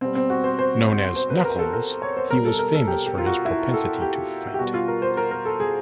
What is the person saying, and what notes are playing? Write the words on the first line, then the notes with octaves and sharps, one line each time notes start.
Known as "Knuckles," he was famous for his propensity to fight.
B2 G3 C4
C4
F#4
C5
C5
C5
B4
A#4
A4
A#4
C#5
C5
B2 G3 A#4
A4
A#4
A4
G4
G4
F4
F#4
E4
A4
G4
G4
B2 G3 F#4
F4
A#4
C5
A#4
A#4
A4
G#4